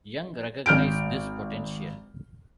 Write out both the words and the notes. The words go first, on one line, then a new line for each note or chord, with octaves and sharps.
Young recognized this potential.
G#1 F6 G6 D7